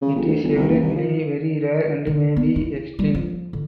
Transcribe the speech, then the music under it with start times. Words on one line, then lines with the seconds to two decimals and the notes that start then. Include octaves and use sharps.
It is evidently very rare and may be extinct.
0.02 C#3
0.16 G1
0.28 D2
0.43 G1
0.55 C2
0.69 F#1
0.81 C2
0.96 F3
2.07 D3
2.36 B3
2.56 E4
2.99 G3
3.15 F3
3.53 D3